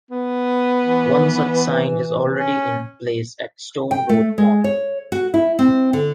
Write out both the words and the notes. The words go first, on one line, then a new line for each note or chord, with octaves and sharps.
One such sign is already in place at Stone Road Mall.
B3
E3
C#4
G5
A3
G#3
C#5
F#4
E4
C4
D3